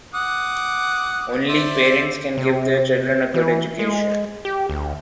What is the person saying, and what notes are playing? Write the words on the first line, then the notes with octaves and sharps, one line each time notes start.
Only parents can give their children a good education.
F#5 D6 D#6
C5 D5 E5
C3
E3
G#3
G4
D2